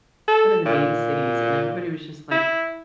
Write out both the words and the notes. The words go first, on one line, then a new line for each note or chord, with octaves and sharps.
one of the main cities, and everybody was just, like,
A4
A#2
E4